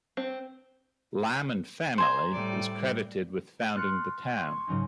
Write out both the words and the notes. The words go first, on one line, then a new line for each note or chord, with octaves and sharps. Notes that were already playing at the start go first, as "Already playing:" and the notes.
Lyman family is credited with founding the town.
C4
C5 G#5 A#5
A2 G3 D5
C6 F6 F#6 A6 C7 C#7
C6 C#6 G#6
G#2 C#3 F#3 C#4 D#4